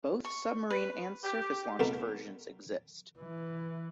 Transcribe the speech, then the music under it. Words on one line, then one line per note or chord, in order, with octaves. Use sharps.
Both submarine- and surface-launched versions exist.
C#6
B4
G4
C2 B2 A3 A#4 F#5 A5
E3